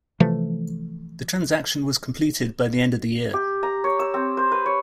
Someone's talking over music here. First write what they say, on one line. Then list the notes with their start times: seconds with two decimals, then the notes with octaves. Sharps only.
The transaction was completed by the end of the year.
0.20 C3 E3 F3 A3
3.34 G4
3.63 A#5
3.84 C#5
3.99 E6
4.14 C4
4.37 C5
4.52 B4
4.66 C#5